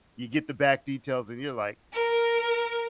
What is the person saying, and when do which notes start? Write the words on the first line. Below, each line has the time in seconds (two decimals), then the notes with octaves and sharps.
you get the back details and you're like,
1.93 A#4